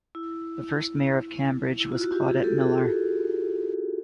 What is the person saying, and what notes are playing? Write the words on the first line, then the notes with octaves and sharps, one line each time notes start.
The first mayor of Cambridge was Claudette Millar.
E4
E4
F4
F#4
F4 G4
F#4 G#4
G4 A4
F#4 G#4